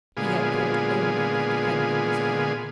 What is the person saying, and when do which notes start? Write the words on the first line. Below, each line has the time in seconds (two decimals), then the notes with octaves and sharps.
He had thought only of defending his own.
0.17 A#2 D3 G#3 B3 F4 G#4